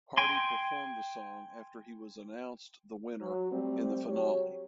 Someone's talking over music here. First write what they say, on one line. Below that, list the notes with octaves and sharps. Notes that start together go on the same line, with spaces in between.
Hardy performed the song after he was announced the winner in the finale.
G5 G#5 C6
F#3
G3 A3 C4
F#3 G4 C#5